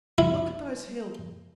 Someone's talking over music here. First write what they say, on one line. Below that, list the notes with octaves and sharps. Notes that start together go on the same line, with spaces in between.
Look at those hills!
E4